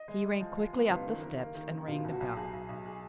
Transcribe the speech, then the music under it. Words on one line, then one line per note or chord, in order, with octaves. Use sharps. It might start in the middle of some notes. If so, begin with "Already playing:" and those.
He ran quickly up the steps and rang the bell.
Already playing: D#5
G#3
G#3
F3
G#3
B3
F#1 F4
D#3
A#3
A#3
D#3
F#1
B2 F4
B1
F#4
B1
B1 G#4
B1
B1
G#4